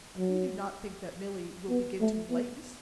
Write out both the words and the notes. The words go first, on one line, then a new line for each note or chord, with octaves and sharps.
"You do not think that Milly will begin to lace?"
F#3
B3
A3
B3